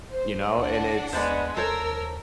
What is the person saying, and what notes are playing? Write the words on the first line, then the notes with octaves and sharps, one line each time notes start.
you know? And it's
D1 C5
C#2 D4 F#5
D#2 G#3 B3 C5 D5 B5
D#2 A4 A#4 C5 C#5 E6